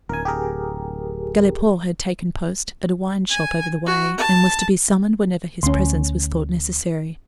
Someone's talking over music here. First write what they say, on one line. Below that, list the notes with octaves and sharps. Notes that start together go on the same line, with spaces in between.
Galipaud had taken post at a wine-shop over the way, and was to be summoned whenever his presence was thought necessary.
D1 A#4 G#5
G4 G#4 A#4
G#5
F#4
A5
D2 C#4 C6